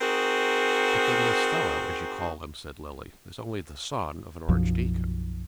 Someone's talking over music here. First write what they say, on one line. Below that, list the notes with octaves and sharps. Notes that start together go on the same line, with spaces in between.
"But then this fellow, as you call him," said Lily, "is only the son of an archdeacon."
C4 D#4 F#4 G#4 A#4
B1 F#2 F3